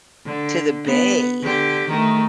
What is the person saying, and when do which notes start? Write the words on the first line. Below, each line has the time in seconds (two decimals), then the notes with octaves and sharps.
to the bay.
0.25 D3
0.85 B3
1.42 D3 G4
1.89 D#3 A3